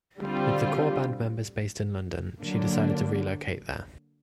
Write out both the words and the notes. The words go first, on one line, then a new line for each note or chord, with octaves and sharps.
With the core band members based in London, she decided to relocate there.
D3 G3 C4 F4
D3 F#3 A#3 D4